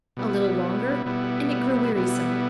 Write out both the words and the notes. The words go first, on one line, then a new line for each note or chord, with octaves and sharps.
A little longer, and it grew wearisome.
B2 G3 B3 E4
B2 G3 B3 E4
B2 G3 B3 E4